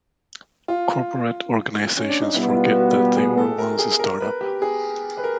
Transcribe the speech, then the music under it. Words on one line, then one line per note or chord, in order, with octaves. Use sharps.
Corporate organizations forget that they were once a startup.
F4
C#4
D4
D#4
B2 G3 B3 E4
F4
F#4
G4
G#4
A4
A#4
G#4
A#4
B4
G4
G#4
B4
A#4